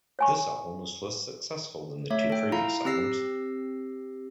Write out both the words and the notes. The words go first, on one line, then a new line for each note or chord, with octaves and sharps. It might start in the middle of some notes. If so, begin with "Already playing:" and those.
This album was less successful than the two previous albums.
C#5 G#5 C#6
A3 C#5 E5
A4 G5
E4 F4 F5 A#5
C4 G4 E6 A#6 C7